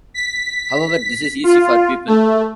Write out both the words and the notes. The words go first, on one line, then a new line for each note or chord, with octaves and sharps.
However, this is easy for people.
B6
F4
A3